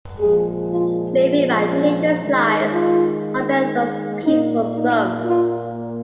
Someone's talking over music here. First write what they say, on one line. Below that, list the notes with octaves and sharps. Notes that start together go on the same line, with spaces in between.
Leaving my children's lives under those people thumb.
A#2 F3 G#3 G#4
F4
C#4
D#3 G#3
F4
A#2 A#3 D#4
D#4
F4